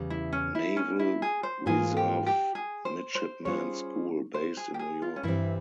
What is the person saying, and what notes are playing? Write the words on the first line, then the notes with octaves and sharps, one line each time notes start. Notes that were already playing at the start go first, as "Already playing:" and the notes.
Naval Reserve Midshipmen's School, based in New York.
Already playing: E2 C#3 G3
E4
C#4
E4
C#4
E4
G#4
C5
G#2 E3 A#3 F4 G#4
G4
G4
G#4
C5
C5
G3 C#4 F4 G#4 C5 C#5
C5
G#4
G4
G#4
F4
C#4
G2 E3 G3 C4 E4